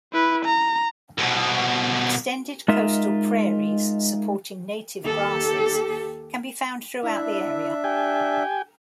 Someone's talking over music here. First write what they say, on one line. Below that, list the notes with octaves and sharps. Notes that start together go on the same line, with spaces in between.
Extended coastal prairies supporting native grasses, can be found throughout the area.
E4 B4
A#5
C2 B2
G#3 D#4 F4 A#4 E5
D#2 G4 A4
D4 E4 E5
G4 G5 G#5